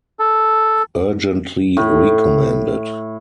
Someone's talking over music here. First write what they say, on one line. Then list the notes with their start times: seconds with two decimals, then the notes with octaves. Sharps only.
Urgently recommended!
0.19 A4
1.77 A2